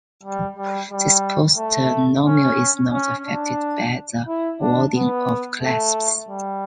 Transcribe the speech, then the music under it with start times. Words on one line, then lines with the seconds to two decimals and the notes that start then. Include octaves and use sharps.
This post-nominal is not affected by the awarding of clasps.
0.24 G3
0.57 G3
0.91 G3
1.57 A3
2.25 C#4
2.92 C#4
3.26 D4
4.27 E4
4.60 D4
4.95 B3
5.62 A3
6.29 G3